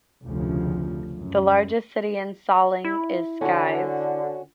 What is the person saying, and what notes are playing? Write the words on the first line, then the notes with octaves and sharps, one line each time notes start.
The largest city in Salling is Skive.
F1 D2 C#3 F3
F#2
E4
D3 C#4 F#4